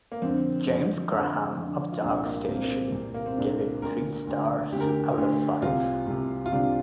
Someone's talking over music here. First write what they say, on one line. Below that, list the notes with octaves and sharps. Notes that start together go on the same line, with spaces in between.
James Graham of "Dark Station" gave it three stars out of five.
A#3
F2 D3 C4
F2 D3
F2 D3
F2 D3
F4
C2 A#2 D4
A#3
C2 A#2 C4
A#3
C4
C2 A#2
A#3
C4
C2 A#2 D4
D2 D3 A#4
D2 D3
D2 D3 G4 A#4
G4
D2 D3
C2 C3 F4
C2 C3
F4
C2 C3 D4